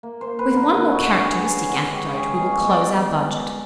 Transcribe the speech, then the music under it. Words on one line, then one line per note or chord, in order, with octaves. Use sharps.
With one more characteristic anecdote we will close our budget.
A#3
C5
A#3
B4
D3
A#4
D3 B4
F#4
D3
F#4
D3
G#4
C#4 G#4
G#3 F#4
G#3 G4
C#4 G#4
G#4
B2
C#5
B2
D5